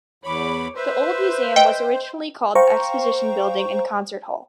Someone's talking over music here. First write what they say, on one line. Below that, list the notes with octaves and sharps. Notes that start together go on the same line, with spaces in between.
The Old Museum was originally called the Exhibition Building and Concert Hall.
E2 C#5 B5 D6
B4 C5 E5
D#5 G5
C5 F5 G5 A#5 C#6